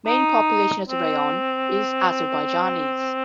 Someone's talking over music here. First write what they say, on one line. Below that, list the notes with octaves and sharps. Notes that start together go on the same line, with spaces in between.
Main population of the raion is Azerbaijanis.
D#4
C4